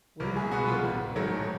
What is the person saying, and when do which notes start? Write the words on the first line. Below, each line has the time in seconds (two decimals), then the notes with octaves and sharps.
Would it not be a good work?
0.20 C2 A#4
0.36 G#4
0.51 B2 G#3 B3 F#4
0.68 F4
0.84 A1
1.15 G#2 D#3 F#3 A3